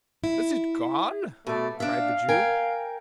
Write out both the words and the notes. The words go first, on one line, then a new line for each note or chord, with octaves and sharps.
'Is it gone?' cried the Jew.
E4
B2 A3 D5
D4 E5 F5
A#4 G5 G#5